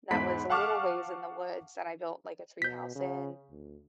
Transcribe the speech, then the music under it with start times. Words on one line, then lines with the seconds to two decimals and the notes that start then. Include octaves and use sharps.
that was a little ways in the woods that I built, like, a tree house in,
0.10 E2 G#2 B5 B6 D7
0.50 F5 F#5 A5 C#6 D6 F6
2.62 B2 G6 B6
2.95 C#3
3.50 D2